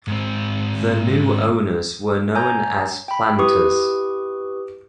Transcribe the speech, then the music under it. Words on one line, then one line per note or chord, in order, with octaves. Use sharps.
The new owners were known as "planters".
G#2 C4
C#5 G#5 A#5 G6
G5 B5
E4 G4 B4 C#6 D#6